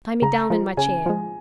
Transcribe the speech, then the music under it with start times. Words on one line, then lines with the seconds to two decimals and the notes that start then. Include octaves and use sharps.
Tie me down in my chair.
0.22 C#3 A#5
0.50 F3 G#3
0.77 C#3 G#5
1.06 F3 G#3